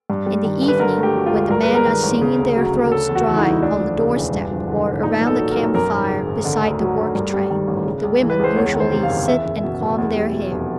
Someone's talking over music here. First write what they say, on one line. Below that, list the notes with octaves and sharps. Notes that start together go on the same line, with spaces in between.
In the evening, when the men are singing their throats dry on the doorstep, or around the camp-fire beside the work-train, the women usually sit and comb their hair.
G2
G3
D#3
G1
B4
D3 A#4
A3
G4
F#3
F4
D2
G2 A#4
B4
G#3
A#4
D#3
A1
C#3
D2
F#3
D2
C#3 A4
E2
F#4
E3
E4
D#4
E2
D2 D4
F3
C#3
E1
G2
F3
D3
G#1
A#2 D#4
B1
A4
F#3
B1 A#4
F#2 A#4
G#1
C#3
G#1
D3
D2
F#3
D2
G2
G3
D#3
A1
C#3
C#2
E3
B4
C#2 C5
E2 C#5
D#3
C5
C3
F5
F#1
E2 E5
F#1
B2
F#1
E2
G3
B2
F1